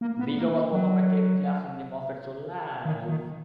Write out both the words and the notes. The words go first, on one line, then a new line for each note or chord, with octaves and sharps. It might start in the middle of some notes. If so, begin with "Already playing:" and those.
Beaker was performed by Kevin Clash in "The Muppet Show Live".
A#3
B3
A#3
F#3
D#3
D#3